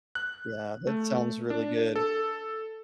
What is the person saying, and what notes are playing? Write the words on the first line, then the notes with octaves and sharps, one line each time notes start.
Yeah, that sounds really good.
F#6
A3
D4
A4